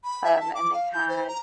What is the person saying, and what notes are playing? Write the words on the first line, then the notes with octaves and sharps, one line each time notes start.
um, and they had,
B5
E5
A5
D6
F5
G6
C5
A#5